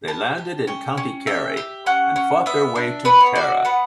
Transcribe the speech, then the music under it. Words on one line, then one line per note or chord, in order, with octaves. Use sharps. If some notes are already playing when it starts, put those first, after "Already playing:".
They landed in County Kerry and fought their way to Tara.
G4 A5
G4
C#4 G5
C#4
G4 E5
G4
C#4 F#5
C#4
B3 E5
D4
B3 B4
C#5
F#4 D5
B3 F#5